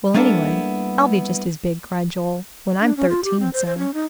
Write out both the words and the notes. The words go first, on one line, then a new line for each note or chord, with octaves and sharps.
"Well, anyway, I'll be just as big," cried Joel, "when I'm thirteen, so!"
G3 A#3 B3 D4 E4 A4
D4
C#4
F4
G4
C4
C5
C5
C#4
D#4